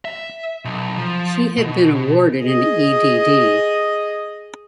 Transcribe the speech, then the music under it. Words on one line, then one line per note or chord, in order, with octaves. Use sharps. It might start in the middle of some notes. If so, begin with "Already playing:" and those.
He had been awarded an Ed.D.
E5
B1
F3
B2
G#4 D#5